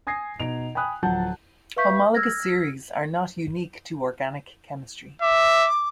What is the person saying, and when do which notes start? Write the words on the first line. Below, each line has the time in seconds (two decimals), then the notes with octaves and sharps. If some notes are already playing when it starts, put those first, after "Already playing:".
Homologous series are not unique to organic chemistry.
0.07 G#5 D#6 G#6 A#6 C7
0.40 B2 D#4 D7 F7
0.75 G5 G#5 B5 D#6 F#6
1.03 D1 F3 F#3 F#5 A5 G6
1.77 B4 E5 F5 C#6 G6 B6
2.15 E6 F6 G#6 A#6
5.22 E5 D6